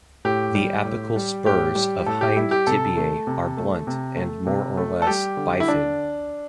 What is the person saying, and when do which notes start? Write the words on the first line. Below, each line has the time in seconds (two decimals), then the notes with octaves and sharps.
The apical spurs of hind tibiae are blunt and more or less bifid.
0.25 A2 G4
0.55 G3
0.85 A2
1.16 G3
1.46 A2 G4
1.75 G3
2.06 A2 A4
2.21 G4
2.36 G3 E4
2.51 G4
2.67 C3 A4
2.97 A3
3.27 C3
3.57 A3
3.87 C3
4.16 A3
4.47 C3
4.77 A3
5.02 A4
5.07 G3 G4
5.37 D3
5.60 E4
5.68 D4